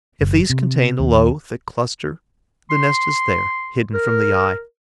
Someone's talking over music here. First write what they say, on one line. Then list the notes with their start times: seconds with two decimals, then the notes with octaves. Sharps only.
If these contain a low, thick cluster, the nest is there, hidden from the eye.
0.21 F#1
0.50 C3
0.99 D#2
2.70 C6
3.94 A#4